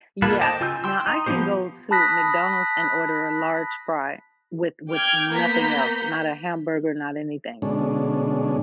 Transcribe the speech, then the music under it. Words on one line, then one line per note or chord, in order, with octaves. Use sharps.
Yeah, now I can go to McDonald's and order a large fry with with nothing else, not a hamburger, not anything.
A#3 F4 A4 B4
C5 D#5 G5 A5 D6
C#3 F4 G#5 E6 G6
G5 C6 E6
D#4
F3 G3 B3 G4 C5
A5 B5 D#6 F#6 A#6 B6
G5 D6 F6 G6 G#6
A#3 B3 A#5 G6 B6
B2 D3 G#3 C#4 D4